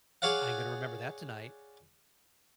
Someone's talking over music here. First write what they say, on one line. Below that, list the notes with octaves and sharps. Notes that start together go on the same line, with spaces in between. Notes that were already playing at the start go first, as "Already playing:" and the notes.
I ain't gonna remember that tonight."
G#4 C#5 D5 F5 F#5